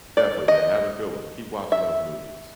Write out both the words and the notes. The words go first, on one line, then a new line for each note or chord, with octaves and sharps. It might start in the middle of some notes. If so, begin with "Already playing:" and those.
Definitely, man, have a good one. Keep watching those movies.
D5
D#5
E5